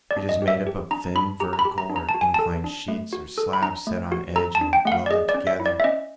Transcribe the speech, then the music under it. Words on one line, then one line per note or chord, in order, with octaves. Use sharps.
It is made up of thin vertical or inclined sheets or slabs set on edge and welded together.
D5
D4
D#5
G4
E5
G4
D4 A#5
D4 B5
G4 A#5
A#5
B5
G4
A#5
D4
A#5
A5
F#4
G#5
A4 A5
D4
A3
F#4
A4
B5
D4 A#5
A3
F#4
A4 A#5
A5
D4
G5
A3 F#5
F5
D5
G#4 D#5
D5
C#4
E5
E4
D5
E5
C#4 D#5